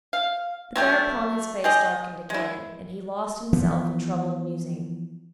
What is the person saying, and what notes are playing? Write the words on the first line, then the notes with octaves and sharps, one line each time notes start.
But thereupon his face darkened again, and he lost himself in troubled musing.
F5
F#3 A3 G4
G4 G#4 D#5
G#3 E4
E3 F3 B3